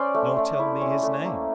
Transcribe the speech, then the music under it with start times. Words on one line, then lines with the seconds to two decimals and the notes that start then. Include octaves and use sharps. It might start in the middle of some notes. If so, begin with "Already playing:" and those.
"Nor tell me his name."
Already playing: C#4 C5 D5
0.14 A3
0.37 A3
0.59 E4
0.81 C#4
1.03 A3
1.25 A#3